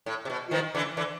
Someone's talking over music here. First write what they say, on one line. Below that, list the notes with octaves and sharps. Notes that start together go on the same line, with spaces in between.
still new.
A2
C3
B2
D#3 F3
D3 E3
D3 E3